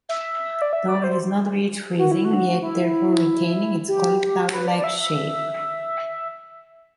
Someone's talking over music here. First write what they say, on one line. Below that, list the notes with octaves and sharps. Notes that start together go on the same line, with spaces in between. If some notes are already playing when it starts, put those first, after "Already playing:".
Though it has not reached freezing yet therefore retaining its cauliflower like shape.
E5
D5
E5
D5
C5
F#4
E4
F#4
E4
G4
B4
D5
D5
E5
E5